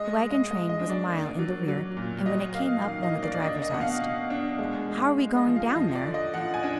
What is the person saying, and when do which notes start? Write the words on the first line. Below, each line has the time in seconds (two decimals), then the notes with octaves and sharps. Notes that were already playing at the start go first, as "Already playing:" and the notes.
The wagon train was a mile in the rear, and when it came up one of the drivers asked, "How are we going down there?"
Already playing: G#3 D#5
0.22 G#3
0.31 D#5
0.51 G#3 D#5
0.69 D#5
0.79 D4
0.90 D5
1.09 A#3
1.39 F#3
1.68 F#3
1.97 A#2
2.26 F#3 D#5
2.55 A#3 F5
2.84 D#3 F5
3.03 D#5
3.13 A#3
3.23 D5
3.35 D5
3.42 D4 D#5
3.62 D#5
3.72 B2 F#5
3.81 F5
4.01 B2
4.30 D4
4.59 G#3
4.88 G#3
5.18 G#3
5.37 D#5
5.47 F3
5.56 F5
5.75 F3 D#5
5.95 D5
6.05 D3
6.14 D#5
6.34 F3 F#5
6.54 G#5
6.63 D4